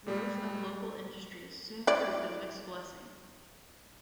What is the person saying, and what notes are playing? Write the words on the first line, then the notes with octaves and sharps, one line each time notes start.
Growth of local industries soon proved a mixed blessing.
A#2 G3 G#3
E4 D5